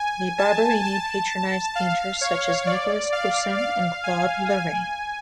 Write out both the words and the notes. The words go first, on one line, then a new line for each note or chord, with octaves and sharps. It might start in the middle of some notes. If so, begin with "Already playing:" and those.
The Barberini patronised painters such as Nicolas Poussin and Claude Lorrain.
Already playing: G#5
A5
A5
F5
C#5
D5
F5
F5
G#5
G#5